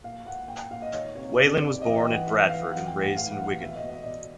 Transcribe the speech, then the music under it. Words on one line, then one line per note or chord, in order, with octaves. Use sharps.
Whelan was born in Bradford, and raised in Wigan.
A#2 F5
A#2 F#5
A#2 G5
A#2 F5
D#5
D#3 C#5
C3 C#5
C3 D5
D#3 D5
E3 D#5
G5
E3
F#5
E3 E5
E3 F5
E3 F#5
G5
A2
F#5
E3 F5
F#5
E3
F5
B2 E5
D#5
B2
D#5
B2 D5